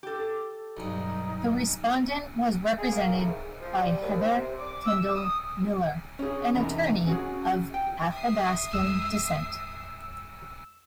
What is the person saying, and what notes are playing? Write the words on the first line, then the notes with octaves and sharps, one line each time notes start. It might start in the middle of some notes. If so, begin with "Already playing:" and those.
The respondent was represented by Heather Kendall-Miller, an attorney of Athabascan descent.
G4 A4
B1 G2 D#4
G#4
A#3
A2
G#2
F3
G3
D#2
C4
C3
D6
E6
D#6
C#4 G#4
E2 C3 D#4 A#4 B5
C#4 F#4 G#4
G5
E5 D#6 C7
F2 G#3 E6